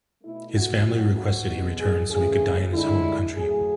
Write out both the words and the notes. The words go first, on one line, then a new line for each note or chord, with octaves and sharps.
His family requested he return so he could die in his home country.
B2 A3 E4
F#4
C#3 F#3 A3 F#4
F#4
B2 G#3
G#4
C#3 E3 A3 G#4
D3 G#3 E4
A2 F#3 A3 G#4